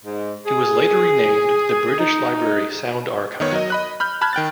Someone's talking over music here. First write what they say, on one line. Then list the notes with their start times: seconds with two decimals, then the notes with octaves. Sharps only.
It was later renamed the British Library Sound Archive.
0.04 G#2
0.46 G#4
1.98 D#4
3.40 D#3 B3 C#5
3.52 F#3 A#4 D#5
3.70 D#5 B5 F#6
4.00 B5 F6 G6
4.21 A5 B5 F6 F#6 G#6
4.33 D#3 G5 F#6 A6